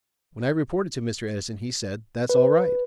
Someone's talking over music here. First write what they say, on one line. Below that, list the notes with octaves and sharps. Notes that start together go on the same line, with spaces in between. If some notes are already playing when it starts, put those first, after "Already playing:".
When I reported to Mr. Edison he said: 'That's all right.
B4